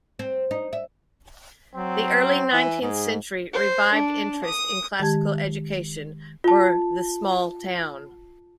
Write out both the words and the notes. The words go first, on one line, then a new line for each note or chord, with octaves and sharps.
The early nineteenth century revived interest in classical education for the small town.
C4
D#4
E5
F#3 C4
E3
G#2 G#4
C5
D4
D#6
D#3 G#3 G4 A5 G#6
F4 A5